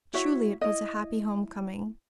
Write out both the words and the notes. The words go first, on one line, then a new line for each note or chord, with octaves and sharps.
Truly it was a happy home coming.
E4 F#4 C#5 E5
E4 D#5